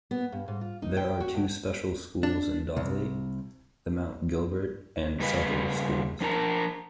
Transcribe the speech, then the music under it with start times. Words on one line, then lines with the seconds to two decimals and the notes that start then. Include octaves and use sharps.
There are two special schools in Dawley: the Mount Gilbert and Southall schools.
0.11 B3
0.32 G2
0.48 G#2
0.61 F4
0.82 D#4
0.97 G5
1.20 F#4
1.35 D2
2.23 D4
2.77 C2
5.20 G2 C#3 G#4 B4 D#5 F5
6.21 F3 D4 A#4 A5 A#5